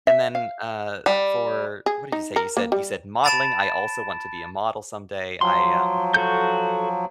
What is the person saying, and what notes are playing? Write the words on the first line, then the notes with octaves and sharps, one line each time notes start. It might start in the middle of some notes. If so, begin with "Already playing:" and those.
And then, uh, for what did you say? You said you said modeling, I also want to be a model someday. I, um
E5
F5
G3
G#4
D#4
A#4
A#3
G3
A5 B5 A6 D7 E7
F3 F#3 C6
F#4 A4 G6